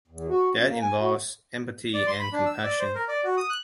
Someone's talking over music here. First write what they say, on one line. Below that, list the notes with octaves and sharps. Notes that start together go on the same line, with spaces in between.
That involves empathy and compassion.
E2
F#4
F#2
A#3
G#5
F#4
D5
C6
B5
D4
E6
D5
C5
A#4
D5
F#4
D#6
F#6